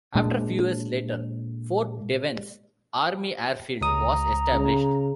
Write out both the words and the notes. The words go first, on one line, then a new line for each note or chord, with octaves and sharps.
A few years later, Fort Devens Army Airfield was established.
A#2 G#3 D4
C#2 A#5 D#6
C#3